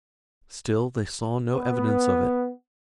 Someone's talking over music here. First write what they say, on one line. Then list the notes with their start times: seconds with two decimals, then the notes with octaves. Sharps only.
Still they saw no evidence of it.
1.53 B3